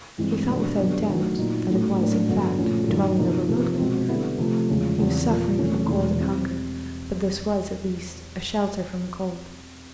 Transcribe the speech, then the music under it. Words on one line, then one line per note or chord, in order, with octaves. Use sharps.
He thought without doubt, that it was, in fact, the dwelling of a road-laborer; he was suffering from cold and hunger, but this was, at least, a shelter from the cold.
G2 E3 G#3 C4
B2 G3 A#3 D4
F#2 D3 G3 B3 D4
D#3 F#3 A3
A#2 F#3 A#3 D#4
A2 F#3 A3 C#4
A2 F#3 A#3 D4
G2 D3 F#3 B3
A#2 F3 A3 C#4
G2 D#3 F#3
C3 F3 A#3 D#4
C3 F3 A#3
B2 G#3 C4
D3 G3 B3 E4
C3 F3 A3
E2 C#3 F3 G#3
E2 C#3 E3 G3 C4
A#2 F3 A#3
E2 C3 E3 A3 C#4
E2 B2 G#3
G3 C4 E4